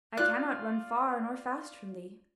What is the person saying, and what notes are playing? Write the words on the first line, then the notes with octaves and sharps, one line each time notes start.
I cannot run far or fast from thee.
F4 D5 F#6